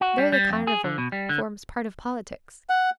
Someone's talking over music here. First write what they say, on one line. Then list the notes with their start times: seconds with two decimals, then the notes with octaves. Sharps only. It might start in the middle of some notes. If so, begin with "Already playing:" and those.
There the Carnival forms part of politics.
0.01 F#4
0.18 G3
0.32 G3
0.50 F2
0.67 G#4
0.84 D3
0.98 B2
1.12 G3
1.29 D3
2.69 F#5